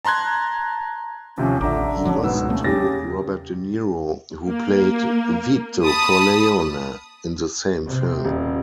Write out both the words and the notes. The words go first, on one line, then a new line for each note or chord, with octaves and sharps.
He lost to Robert De Niro, who played Vito Corleone in the same film.
A5 A#5 C6 F#6 G#6
D#2 C3 F3 C#4
A1 D3 E5 A#5 D6
E1 F3 F#3 C#4
C#2 G#2 B2 B3 E6
F#3 A3 A#3 C4 C#4
E2 C#3 G4 A6 A#6
A#3
A5 B5 D#6
C3
D#1